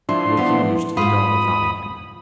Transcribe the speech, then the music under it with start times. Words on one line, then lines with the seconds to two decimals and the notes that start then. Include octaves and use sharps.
He accused the dog of robbing him.
0.09 F3 D4 E4 C6
0.37 E3 B3
0.97 G#2 F4 B5 D#6